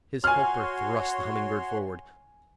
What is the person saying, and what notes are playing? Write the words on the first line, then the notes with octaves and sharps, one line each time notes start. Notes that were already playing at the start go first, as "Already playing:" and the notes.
His helper thrust the Humming-Bird forward.
F#4 C#5 G#5 C6 F6